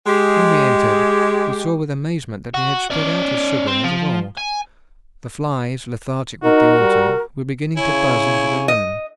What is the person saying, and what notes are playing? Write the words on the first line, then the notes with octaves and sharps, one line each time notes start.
When we entered we saw with amazement that he had spread out his sugar as of old; the flies, lethargic with the autumn, were beginning to buzz into the room.
G#3 G4
F#4
C#4 D5
C4
F3
G#5
D#4 F#4 A#4
G3
C#3 E4 C#5 G#5
D#5